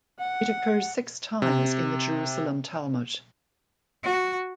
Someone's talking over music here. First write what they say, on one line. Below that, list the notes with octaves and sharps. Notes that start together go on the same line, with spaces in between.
It occurs six times in the Jerusalem Talmud.
F#5
C3
F#4